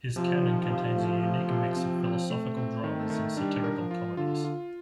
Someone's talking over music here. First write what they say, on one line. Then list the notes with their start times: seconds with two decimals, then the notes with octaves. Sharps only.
His canon contains a unique mix of philosophical dramas and satirical comedies.
0.16 C3 F3
0.43 D#3
0.69 C3
0.96 A3
1.23 C3
1.50 C3
1.77 C4
2.03 C4
2.30 A3
2.57 C4
2.84 D#3
2.98 A3
3.10 D#3
3.37 G3 D4
3.64 A#4
3.78 F3
3.91 F4
4.17 D3 F4
4.44 F4